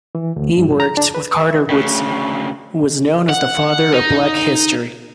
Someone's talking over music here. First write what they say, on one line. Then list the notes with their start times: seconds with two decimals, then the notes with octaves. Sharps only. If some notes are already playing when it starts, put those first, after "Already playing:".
He worked with Carter Woodson, who was known as the "Father of Black History".
0.15 E3
0.36 D2
0.57 G2
0.80 A#5
0.97 D4
1.15 B4
1.40 E5
1.70 D2 C#3
3.29 F#5
3.93 D#4